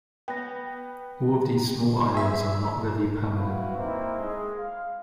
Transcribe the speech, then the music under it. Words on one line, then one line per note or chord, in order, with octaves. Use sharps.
All of these small islands are not very permanent.
B3 G5 A#6
G#4 E5
E4 F#4 B4 F5
A#3 C4 D#4 E4
G#3
F5